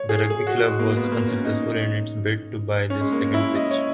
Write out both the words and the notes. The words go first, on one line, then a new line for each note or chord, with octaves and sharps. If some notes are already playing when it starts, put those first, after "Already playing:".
The rugby club was unsuccessful in its bid to buy this second pitch.
Already playing: C#5
G#4
G#4
F#4
G#3
A#3
B3
A#3
C#4
D#4
C#4
G#3
A#3
E4
D#5
C#5